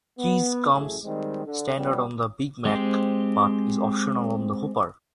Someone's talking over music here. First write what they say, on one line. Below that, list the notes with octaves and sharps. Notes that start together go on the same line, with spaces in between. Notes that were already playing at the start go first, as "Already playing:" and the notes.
Cheese comes standard on the Big Mac, but is optional on the Whopper.
B3
A1 F#2 A3 G#4
D#3 G3 G#3 C4
D3
F3 G3 B3 C#4
G#3 C4 G4 C5